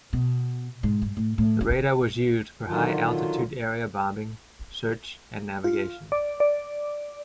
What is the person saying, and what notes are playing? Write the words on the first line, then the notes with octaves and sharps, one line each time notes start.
The radar was used for high altitude area bombing, search and navigation.
B2
G#2
G2
A2
A2
C#4
D3 D#3 F#3 F4
F4
D5
D5